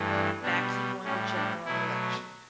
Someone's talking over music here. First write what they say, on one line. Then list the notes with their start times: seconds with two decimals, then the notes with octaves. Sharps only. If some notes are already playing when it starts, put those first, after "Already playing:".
Mackey won the general election.
Already playing: G2 E3 A3
0.11 D4
0.42 B2 G3 D4
1.03 A2 G3 C#4
1.35 D4
1.65 B2 F#3 A3 E4